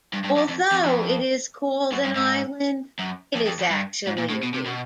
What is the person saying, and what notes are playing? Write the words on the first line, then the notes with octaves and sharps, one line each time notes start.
Although it is called an island, it is actually a reef.
G2
G2
F#2
F2
F2
F2
F#2
G2
G#2
F#2
F2
F2
F2
G2
G#2
A#2
A2
B2
C3
B2